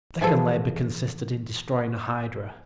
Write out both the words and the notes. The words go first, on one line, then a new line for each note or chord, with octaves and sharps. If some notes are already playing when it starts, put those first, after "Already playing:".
The second labor consisted in destroying a hydra.
E3 F3 G#4 A4